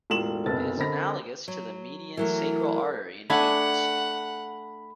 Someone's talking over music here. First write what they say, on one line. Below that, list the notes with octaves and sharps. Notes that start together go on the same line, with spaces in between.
It is analogous to the median sacral artery in humans.
E1 A2 F4 C6 E7 F#7
F#1 B1 C3 A4 B4 A6
D3 C4 A#4 D#5 B5 A#6
F#3
E3 F#3 A3 A#4
A3 D4 F#5 G#5 B5